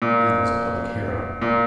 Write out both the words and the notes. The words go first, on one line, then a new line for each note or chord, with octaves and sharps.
The man was a public hero.
A#2
A#2